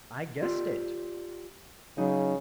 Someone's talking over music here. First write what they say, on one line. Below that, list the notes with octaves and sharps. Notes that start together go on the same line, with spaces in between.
"I guessed it."
F4 G4 D5
C#3 F#3 D#4